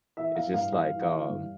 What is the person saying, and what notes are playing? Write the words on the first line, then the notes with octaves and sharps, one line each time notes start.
is just, like, um,
E3 E5
E3 F5
G2 F5
E3 F5
E3
F5
E3
G2